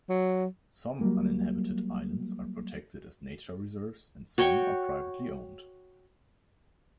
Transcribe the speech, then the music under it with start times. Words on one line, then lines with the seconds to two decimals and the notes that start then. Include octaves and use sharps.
Some uninhabited islands are protected as nature reserves and some are privately owned.
0.09 F#3
1.01 F#3 G3 A#3
4.38 F#4 C#5 G5 C#6